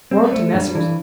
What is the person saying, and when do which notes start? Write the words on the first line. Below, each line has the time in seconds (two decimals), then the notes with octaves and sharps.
Or to Messrs.
0.11 G3 C4
0.32 A3 C5
0.54 G2 G3
0.75 E3 D4